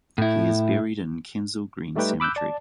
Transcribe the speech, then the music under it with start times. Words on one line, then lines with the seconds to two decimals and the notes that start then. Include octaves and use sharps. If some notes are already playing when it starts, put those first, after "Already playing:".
He is buried in Kensal Green Cemetery.
0.18 A2 E4
1.95 G3 A3 D#4 G4 B4 G5
2.20 B5 D6 E6 F#6 G6
2.36 D5 A5